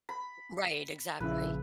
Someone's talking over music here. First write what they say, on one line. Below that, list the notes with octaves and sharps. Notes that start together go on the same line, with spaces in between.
Right, exactly.
B5
A#1 C#3 E4 B4